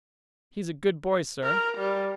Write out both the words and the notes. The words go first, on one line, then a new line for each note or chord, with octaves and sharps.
"He's a good boy, sir."
A#4
G3